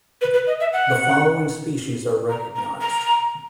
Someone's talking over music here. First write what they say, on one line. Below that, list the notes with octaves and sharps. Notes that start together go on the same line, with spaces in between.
The following species are recognized.
B4
B4
D#5
E5
F#5
A#5
A#5
A#5